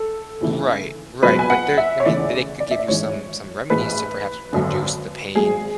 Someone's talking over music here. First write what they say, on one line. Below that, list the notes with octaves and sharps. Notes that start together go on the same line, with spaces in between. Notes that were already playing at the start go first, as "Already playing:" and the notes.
Right, right, but there I mean, th they could give you some some remedies to perhaps reduce the pain,
Already playing: A4
E2 C#3 E3 A3
C#2 B2 F#3 B4
G#5
F#5
E5
C#5
E2 C#3 E3 A3 D5
D5
E5
D5
G#1 G#2 E3 G#3 C#5
A1 G#2 E3 G#3 B4
G#1 F#2 D3
G#1 G#2 F#3 G#4